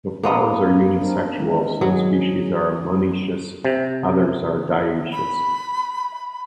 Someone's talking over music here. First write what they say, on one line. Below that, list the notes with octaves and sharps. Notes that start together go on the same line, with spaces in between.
The flowers are unisexual, some species are monoecious, others dioecious.
A#3 B3 D#5
C4 D4 A#4
D#3 G#3 E4
F#3 G#4
C3
B5